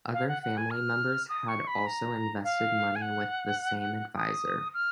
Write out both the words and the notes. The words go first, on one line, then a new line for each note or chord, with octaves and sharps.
Other family members had also invested money with the same advisor.
F5
F#5
F#5
G#5
F6
D#6
C#6
B5
A#5
F5
G#5
F#5
D#6
F6